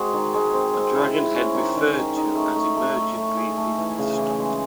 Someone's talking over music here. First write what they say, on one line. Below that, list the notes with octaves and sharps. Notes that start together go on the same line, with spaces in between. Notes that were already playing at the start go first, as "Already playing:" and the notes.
A dragon head referred to as emerges briefly from the stump.
Already playing: G#3 C4 F#4
D#3
G#3
C4
C4
E4
E4
C#4
D#3
D#3
D#3
D#4
A3
A3
A3
A3
A3
G#4
A3
E3
C#3
E3
G#3